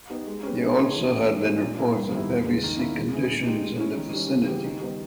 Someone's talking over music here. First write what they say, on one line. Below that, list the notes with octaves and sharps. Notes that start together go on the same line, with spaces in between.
There also had been reports of heavy sea conditions in the vicinity.
B3 D#4 G4
G#3
C#4 G4 B4
G#3
D#4 G#4 C#5
E3
A#3 C#4 G4 A#4
E3
G3 A#3 C#4
A#2
A#3 E4 G#4 B4
G2
D#3 G3 B3 E4
E2
C#3 G#3
D#3
A#3 C#4 E4
G#3
B3 E4 G#4
A#2
G#3 D#4 G4
G#3
C#4 E4
D#3
G3 C#4
C#3
E3 G3 B3 G4
D#3
G3 B3 D#4